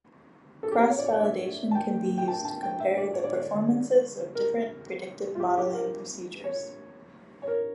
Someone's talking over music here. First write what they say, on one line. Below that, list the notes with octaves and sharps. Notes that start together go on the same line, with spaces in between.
Cross-validation can be used to compare the performances of different predictive modeling procedures.
A4
G4
C#5
D5
C#5
D5
E5
A5
G5
G5
A5
A5
G5
E5
D5
C#5
D5
C#5
A#4
F4
G4
G4
A#4
C#5
C#5
A#4